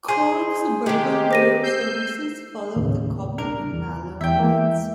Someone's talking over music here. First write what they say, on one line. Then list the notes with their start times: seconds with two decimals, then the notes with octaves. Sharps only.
Cork Suburban Rail services follow the Cobh and Mallow lines.
0.08 G#4 C5 G#5
0.86 D#3 G#3 G4
1.31 C5 A#6 D#7
1.63 E6 G6 C7
2.76 D#2 A2 C#3
3.38 C2 D4 A#4
3.73 E2
4.21 E2 E5 G5
4.37 E3 G#3 A#3